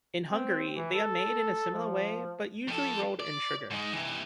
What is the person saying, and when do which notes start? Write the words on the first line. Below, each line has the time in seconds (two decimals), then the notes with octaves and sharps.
In Hungary they are made in a similar way, but usually rolled in sugar.
0.31 C4
0.76 E3
0.93 A4
1.73 F3
2.68 F2 A4
3.20 D5
3.71 G#2 G#3
3.93 C3 E3